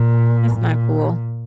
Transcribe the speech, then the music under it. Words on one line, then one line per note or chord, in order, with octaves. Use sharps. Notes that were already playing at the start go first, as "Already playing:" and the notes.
That's not cool.
Already playing: A#2
A#2